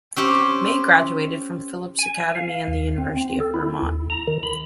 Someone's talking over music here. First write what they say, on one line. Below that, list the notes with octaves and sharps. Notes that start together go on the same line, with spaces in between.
May graduated from Phillips Academy and the University of Vermont.
C4 C#4 G4 C5
G#5
F5
D#2
C4
C4
A4
E4
D#2
A#5
D#3
B5